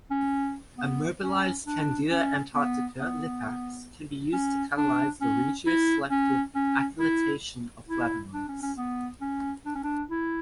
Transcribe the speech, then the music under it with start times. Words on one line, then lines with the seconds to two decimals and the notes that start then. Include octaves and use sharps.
Immobilized "Candida antarctica" lipase can be used to catalyze the regioselective acylation of flavonoids.
0.11 C#4
0.78 B3
1.22 C#4
1.67 D4
2.11 C#4
2.55 B3
2.99 B3
4.33 C#4
4.77 D4
5.21 C#4
5.67 E4
6.11 C#4
6.55 C#4
7.00 E4
7.89 E4
8.33 D4
8.48 C#4
8.62 C#4
8.77 B3
9.21 C#4
9.66 D4
9.75 C#4
9.84 D4
10.10 E4